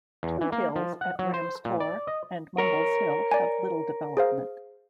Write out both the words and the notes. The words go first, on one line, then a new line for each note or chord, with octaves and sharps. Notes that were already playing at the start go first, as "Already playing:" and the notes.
Two hills at Rams Tor and Mumbles Hill have little development.
E2
E3
A#3
F3
F#5
F#3
C5
A#2
D5
D#5
A#4 C#5
D5 G#5
G#4 C5 F5